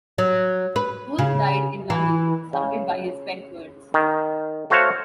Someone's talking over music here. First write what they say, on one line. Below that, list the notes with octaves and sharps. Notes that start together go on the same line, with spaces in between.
Wolf died in London, surrounded by his pet birds.
F#3
B4
C#3
E3
C#3
D#3
A3 F#4 C5 C#5 F5 F#5